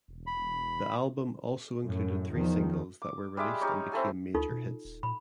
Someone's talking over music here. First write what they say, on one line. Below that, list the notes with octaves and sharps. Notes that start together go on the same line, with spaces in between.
The album also included three singles that were released and became major hits.
E1
B5
F#2 A2
E2 D#3 F3
D6
G3 G#3 E5 D6
G3 D#4 C#5
C4 E4 A4 G#5
D2 D#4 F4 A4
B2
D#1
A#2 B5